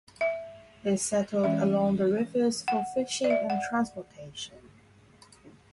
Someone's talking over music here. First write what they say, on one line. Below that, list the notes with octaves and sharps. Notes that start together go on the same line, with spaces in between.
They settled along the rivers for fishing and transportation.
E5
E3 G#3 C#4 E5
F#5
D5
E5
F#5